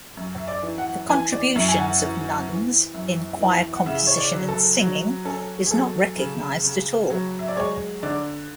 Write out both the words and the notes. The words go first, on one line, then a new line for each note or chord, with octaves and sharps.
The contributions of nuns, in choir composition and singing, is not recognized at all.
F#2
E5
D5
E3
F#5
E3 G#5
D5
F#2 E5
G#5
F#5
E3
E3
F#2
E3
F#5
C#3 E5
C#5
D5
F#3
A4
F#3
C#4 A4
G#4
F#3 A4
C#3
C#3
F#3
E5
D5
G#3 C#5
D3 D5